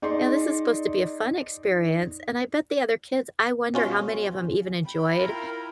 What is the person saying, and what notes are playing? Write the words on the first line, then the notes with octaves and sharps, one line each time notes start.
now, this is supposed to be a fun experience, and I bet the other kids I wonder how many of 'em even enjoyed
D#4 G#4 D5 D#5 C6
B2 C#4 F4
G5 B5
E4 F4 A#4